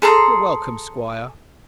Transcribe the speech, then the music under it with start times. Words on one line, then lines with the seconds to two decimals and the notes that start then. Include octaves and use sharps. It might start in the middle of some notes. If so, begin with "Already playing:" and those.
"You're welcome, squire."
0.02 G#4 A4 A#5 C6